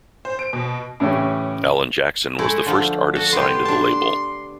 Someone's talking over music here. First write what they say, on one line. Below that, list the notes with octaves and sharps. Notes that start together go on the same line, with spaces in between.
Alan Jackson was the first artist signed to the label.
C5
D7
B2
A2 C#3 E3 C#4 G4
G#3 A3 E4
D3 F3
F#4 A4
B3 G4 C6
D4 A5